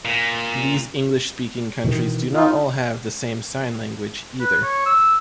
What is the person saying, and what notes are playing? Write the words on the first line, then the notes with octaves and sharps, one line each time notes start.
These English-speaking countries do not all have the same sign language either.
A#2
B2 D#3 E3
D#4 F4
B4
C#5
E6